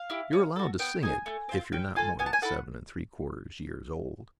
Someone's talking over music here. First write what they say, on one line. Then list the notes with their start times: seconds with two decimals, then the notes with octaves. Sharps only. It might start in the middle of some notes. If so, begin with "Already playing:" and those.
You are allowed to sing it if you are not more than seven-and-three-quarters years old.
Already playing: F5
0.10 E4 G4
0.33 C#4
0.56 F#4 A4
0.79 B3 G5
1.03 D#4 G#4 G#5
1.26 A3
1.49 C4 F4
1.72 C#4 G5
1.96 F4 A4 G#5
2.19 B3 G#5
2.26 A5
2.33 G#5
2.42 E4 A4 F#5